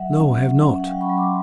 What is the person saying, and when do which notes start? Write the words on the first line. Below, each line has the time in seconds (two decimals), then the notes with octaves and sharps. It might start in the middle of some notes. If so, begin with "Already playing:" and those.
"No, I have not."
Already playing: F#3 E5 F#5
0.13 C#4
0.37 C#4
0.61 C#4
0.80 F#5
0.85 F#3 F5 G5
1.01 B5 C#6
1.10 F#3
1.17 C6 D6